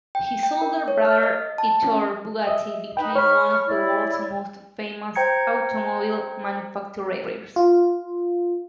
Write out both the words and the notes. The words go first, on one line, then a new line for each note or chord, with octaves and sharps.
His older brother Ettore Bugatti became one of the world's most famous automobile manufacturers.
G5
G5
A#4
C#5
F6
D#5
A5
C#4
D#5 E5
D#4 B4 G5 B5
C#5 B5 C#6 F6
E4 D5
C5 G5 A#5 G#6 C#7
F4